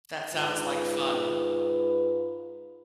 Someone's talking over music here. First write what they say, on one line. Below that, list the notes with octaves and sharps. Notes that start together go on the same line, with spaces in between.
That sounds like fun.
G#2 F4 B4